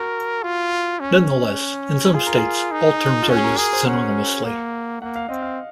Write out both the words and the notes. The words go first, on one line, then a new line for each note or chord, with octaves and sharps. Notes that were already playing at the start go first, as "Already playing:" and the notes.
Nonetheless, in some states, all terms are used synonymously.
Already playing: F#4 A#4
F4
C#4
F4 G#4
A#4
G#4
D#4
F4
C#4 F#4
G#4
A#4
G#4 A#4
C5
C#4 F#5
A#3
A#3 F#5
F5
C4 D#5
F5